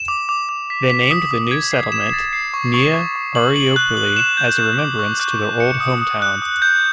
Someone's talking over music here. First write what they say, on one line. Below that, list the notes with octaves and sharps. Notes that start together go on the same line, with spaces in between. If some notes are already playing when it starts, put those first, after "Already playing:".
They named the new settlement "Nea Argyroupolis" as a remembrance to their old hometown.
Already playing: E7
D6
D6
D6
B6
B6
D#6
D#6
G#6
C7
E7
A6
C7
C#6
C#6
C#6
C#6
F#7
F#7
F#6
F#7
E7
G6
E7
D6
C#6
F#6
C#6
C#7
D#6
D#6
F#6
D#6
G6